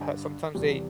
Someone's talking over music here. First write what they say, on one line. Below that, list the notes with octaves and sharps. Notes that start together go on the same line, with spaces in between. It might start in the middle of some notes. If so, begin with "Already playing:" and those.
sometimes they
Already playing: G2 D3 D4
E2 C3 G3